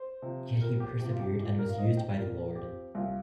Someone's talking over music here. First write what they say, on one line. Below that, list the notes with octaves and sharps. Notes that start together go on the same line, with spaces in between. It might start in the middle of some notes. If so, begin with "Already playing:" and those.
Yet he persevered and was used by the Lord.
Already playing: C5
C3 F3
F2 A#4
G4
C3 F3 G4
F4
G4
A#2 G4
A#4
F5
F3 C4 D#5
G5
A#2 A#4
F3 C4 G4
C2 F4